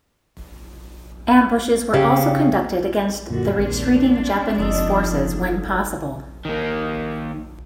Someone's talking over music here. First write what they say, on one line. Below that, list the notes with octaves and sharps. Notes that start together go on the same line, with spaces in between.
Ambushes were also conducted against the retreating Japanese forces when possible.
C#3 G4
F#2 A#2 D3 F#4
A#1 D#2 C4 D4
F#1 F3 D#4 A4
D#3 A#3